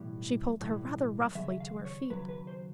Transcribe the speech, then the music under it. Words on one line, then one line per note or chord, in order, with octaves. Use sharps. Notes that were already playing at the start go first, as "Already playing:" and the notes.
She pulled her rather roughly to her feet.
Already playing: B1 A2 E3 G3
B1 A2 E3 G3
D#2 C#3 F#3 E5
F5
C#5
D#2 C#3 F#3 B4
B4
C5